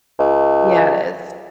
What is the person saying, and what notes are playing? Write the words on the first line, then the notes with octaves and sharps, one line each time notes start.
Yeah, it is.
C#2